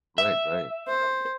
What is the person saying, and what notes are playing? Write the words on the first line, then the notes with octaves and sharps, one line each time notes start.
Right, right.
E5
C5